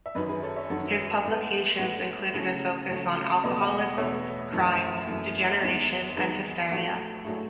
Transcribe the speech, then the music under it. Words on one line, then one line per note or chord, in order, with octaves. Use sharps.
His publications included a focus on alcoholism, crime, degeneration and hysteria.
E5
F#2 D#3 F#3 B4 D#5
G#4 B4
A4 C#5
C#5 E5
F#2 D#3 F#3 F#4 A4
A2 G#3 B3
A2 G#3 B3
C#3 F#3 A3 E4 G#4
C#3 F#3 A3
E2 B2 A3 B4 D#5
D#5 F#5
D#5 F#5
E2 B2 A3 C#5 E5
F#2 E3 A3
F#2 E3 A3
E2 D#3 G#3
E2 D#3 G#3 G#4 B4
A2 F#3 A3 F#4 A4
A2 F#3 A3 E4 G#4